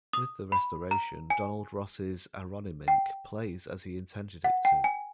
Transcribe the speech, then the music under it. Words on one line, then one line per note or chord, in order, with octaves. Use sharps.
With the restoration, Donald Ross's Aronimink plays as he intended it to.
D#6
B5
A#5
G#5
G5
F#5
G5
G#5